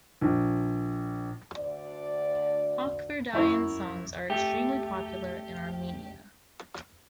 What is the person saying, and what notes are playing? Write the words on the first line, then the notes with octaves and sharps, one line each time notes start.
Hakhverdyan's songs are extremely popular in Armenia.
A#1
D2 D5
F#2 E4 C#5
A3 G4